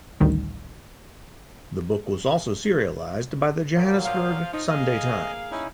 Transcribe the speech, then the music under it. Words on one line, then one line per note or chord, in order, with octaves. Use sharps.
The book was also serialized by the Johannesburg "Sunday Times".
A1 D2 D#3 G3
A#2 F#3 A#3
F3 F5
F3 D#4
A#3 G#4 D#5 F5 G#5
C#4 D#4 E4